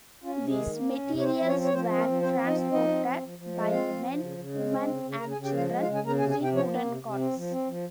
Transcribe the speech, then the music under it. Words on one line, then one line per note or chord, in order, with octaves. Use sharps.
These materials were transported by men, women, and children using wooden carts.
C#4 F4
C3
G#3 G#4
D#3
A#3
C#4
C3
C#5
C4 C5
F3
C#4 C#5
C4
C#5
F3 C4 C5
C4
A#3 A#4
F3
C4 C5
F3
D#4 D#5
C4
F3 D#4 D#5
C4
F3
F3
F3
G#3
C4 F4 F5
F3
F3
C#3
C#3
G#3
C4
C#3
C#3
C#3 A#4 A#5
G#4 G#5
C#3
G4 G5
F3 F4 F5
G#3
F4 F5
C#3
G#4 G#5
C#3 A#4 A#5
C3 G#4 G#5
G#4 G#5
C3
G4 G5
F3 C#4 C#5
A#3
C3
C3
C4
F3
C4
F3